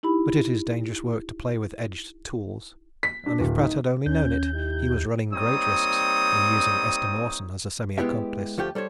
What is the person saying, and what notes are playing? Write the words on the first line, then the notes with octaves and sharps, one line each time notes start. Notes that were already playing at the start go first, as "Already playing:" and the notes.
But it is dangerous work to play with edged tools, and if Pratt had only known it, he was running great risks in using Esther Mawson as a semi-accomplice.
D#4 E4 G4 B5
B6
D4
D1
D#4
D#2 C#4 G6
D#4 E4 G4
G3 A#3 C4 D#4 C#5 D#6
G#3 B3 E4 G4 E5
D2 F3 A3 G4 G5
G3 A4 C5 C#5